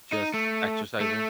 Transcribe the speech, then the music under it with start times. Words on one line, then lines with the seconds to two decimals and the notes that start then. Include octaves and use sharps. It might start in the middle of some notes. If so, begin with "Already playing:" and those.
just exercising.
0.12 D#4
0.34 A3
1.00 A3